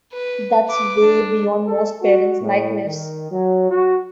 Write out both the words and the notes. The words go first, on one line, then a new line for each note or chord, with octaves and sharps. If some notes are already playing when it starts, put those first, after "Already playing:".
That's way beyond most parents' nightmares.
B4
B4 D6
D4
A4
F#4
A2
D#3
F#3
F#4